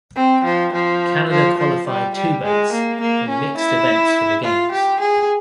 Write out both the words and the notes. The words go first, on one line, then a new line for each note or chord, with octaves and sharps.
Canada qualified two boats in mixed events for the games.
C4
F3
F3
F3
F3
G3
G3
G#3
A#3
A#3
C#4
E4
F4
G4
G#4